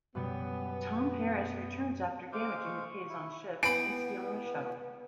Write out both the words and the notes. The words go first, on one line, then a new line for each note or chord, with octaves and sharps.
Tom Paris returns after damaging the Kazon ship and stealing a shuttle.
F#2 B2 G3 B3
G#3 C5 F5 D6
C#6
E4
E3 B3 G5 G#5 B5 D#6 D7